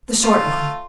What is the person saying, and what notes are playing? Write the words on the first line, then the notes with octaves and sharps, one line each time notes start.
"The short one."
A3 F4 D5 C6